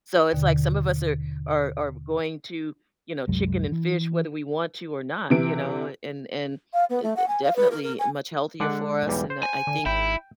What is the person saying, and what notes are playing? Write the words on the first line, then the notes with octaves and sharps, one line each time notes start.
so, it's like, some of us are are are going to, you know, chicken and fish, whether we want to or not, you know, and and, d d definitely, much healthier for us, and, uh, I think,
D#2 B2 D3
C2 F#2 F#3 G#3
E3
C3 E3 D7
F5
B3
A3
F#5
G#5
F5
B4
A#4
A#4
G#5
D3 G#3 D4 F#5
B1 E2 G3
C5
G#5
D3
G#1 E4 G5